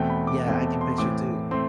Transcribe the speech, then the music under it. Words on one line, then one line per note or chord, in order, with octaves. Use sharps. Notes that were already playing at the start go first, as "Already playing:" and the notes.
Yeah, I can picture it, too
Already playing: E2 B2 A3 C4 G5
B5
D6
E2 B2 A3 C4
A5
C6
A2 E3 A3 C4 D6
A3 C4 C6